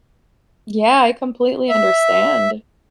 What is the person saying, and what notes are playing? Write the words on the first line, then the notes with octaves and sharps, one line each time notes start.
Yeah, I completely understand.
E5